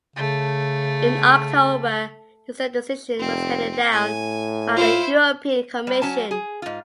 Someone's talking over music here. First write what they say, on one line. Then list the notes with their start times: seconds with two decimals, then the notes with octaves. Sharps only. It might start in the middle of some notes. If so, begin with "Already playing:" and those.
In October, the same decision was handed down by the European Commission.
0.16 C#3 A3
3.19 F1 C4
3.92 A2 G#5
4.76 E4 F4 C5
5.87 G3
6.02 F#3 C#4 A5
6.31 G#4
6.62 G#2 F4